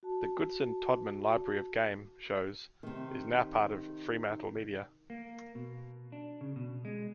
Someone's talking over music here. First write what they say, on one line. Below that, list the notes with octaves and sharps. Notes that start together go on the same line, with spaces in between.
The Goodson-Todman library of game shows is now part of FremantleMedia.
F#4 A5
C3 D#3
A#3
B2
D4
C#3
B2
G#3